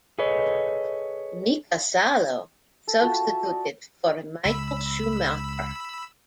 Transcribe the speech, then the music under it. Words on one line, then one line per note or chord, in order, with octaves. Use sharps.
Mika Salo substituted for Michael Schumacher.
G#4 A4 B4 C#5 D#5
A4
F4 F#4 E5 G5
E5 G#5 A5
D5 D#5
C#2 B5 E6